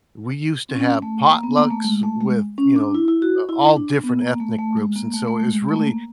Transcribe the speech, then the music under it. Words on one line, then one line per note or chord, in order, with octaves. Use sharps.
we used to have potlucks with, you know, a all different ethnic groups, and so, it was really
C4
C#4
A3
A#3
B3
A#3
A3
G#3
A3
G#3
C#4
D4
E4
E4
F#4
E4
D4
B3
A#3
A3
A3
G#3
A#3
A3
A3
G#3
G#3
A3
A#3